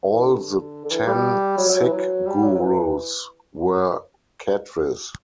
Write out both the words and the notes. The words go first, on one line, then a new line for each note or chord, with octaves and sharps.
All the ten Sikh Gurus were Khatris.
E3
D3
D3
E3
G3
F#3
F#3
E3
F#3
G3
F#3
F#3
E3